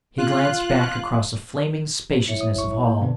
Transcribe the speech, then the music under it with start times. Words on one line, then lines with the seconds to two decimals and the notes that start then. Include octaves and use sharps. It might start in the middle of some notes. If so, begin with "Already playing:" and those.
He glanced back across a flaming spaciousness of hall.
0.18 F4 F#6
2.28 E4 C#5 E5 C#7
2.41 D#6
2.54 G#1 C#2 C#6
2.72 C2
2.86 A#3
3.01 B2 D3 B3 C5 D5 A5